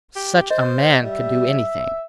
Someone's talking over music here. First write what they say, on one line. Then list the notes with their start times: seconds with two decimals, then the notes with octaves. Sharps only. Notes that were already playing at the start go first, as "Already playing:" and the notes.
Such a man could do anything.
0.16 G4
0.51 C5 D#5
1.03 G3 E5